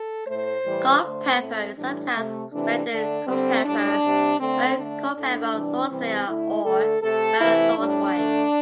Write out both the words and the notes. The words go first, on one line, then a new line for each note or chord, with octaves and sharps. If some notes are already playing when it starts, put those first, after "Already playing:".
Colepeper is sometimes rendered "Culpeper", Baron Colepeper of Thoresway, or Baron Thoresway.
Already playing: A4
A2 A3 C5
A2 E3 G3
D3 A3 C5
A2 A3 C4
A2 E3 G3 D4
C3 A3
C3 E3 A3 D4
D3 A3 D4
D3 G3 C4
A2 G3 D4
C3 G3
D3 A3 C4
D3 A3 D4
A2 A3 D4
C3 E3 G3
C3 E3 G3 C4
D3 A3 E4
D3 A3 A4
C3 A3 A4
C3 E3 A3 E4
A2 G3 D4
D3 A3